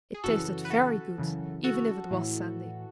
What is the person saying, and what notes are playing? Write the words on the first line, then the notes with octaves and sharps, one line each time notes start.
It tasted very good, even if it was sandy.
G#4
F#2 C#3 E3 F#4 A4
B4
F#4 A4
F#2 C#3 E3
F#4 A4
A2 E3